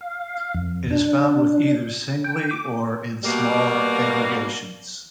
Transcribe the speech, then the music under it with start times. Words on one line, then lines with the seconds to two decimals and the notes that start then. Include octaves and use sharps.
It is found with either singly or in small aggregations.
0.01 F5
0.55 F2
0.91 D4
2.24 G5
2.51 D6
3.24 B2 G3 A#3